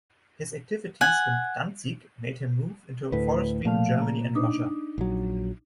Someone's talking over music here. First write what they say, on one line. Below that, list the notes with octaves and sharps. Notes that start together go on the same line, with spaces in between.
His activities in Danzig made him move into forestry in Germany and Russia.
F#5 G#5
D2 A2 B4
A#2 F3 A3 F5
A#3
D4 D#4
A#1 F#3